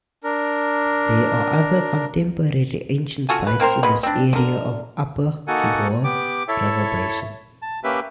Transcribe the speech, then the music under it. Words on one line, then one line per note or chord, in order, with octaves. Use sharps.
There are other contemporary ancient sites in this area of upper Khabur River basin.
D4 A#4
F4 F#4 A4 G#5
B4
A#3 C4 A#4 C5
C#3 G#3 B3 B5
C4 D4
D3 A#4
A#3 D#4 F#4 A4 F#5 G#5
B3 G4 D6
E4 A4 C#5 E5
A5
A#3 C#4 G4 B4 E5